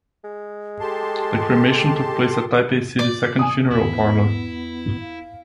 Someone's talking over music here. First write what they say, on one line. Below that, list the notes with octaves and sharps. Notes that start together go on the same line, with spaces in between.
The cremation took place at Taipei City Second Funeral Parlor.
G#3
G4 A4 A5 C6
D5 D6
G#5 D#6
E2 B3 E4
F5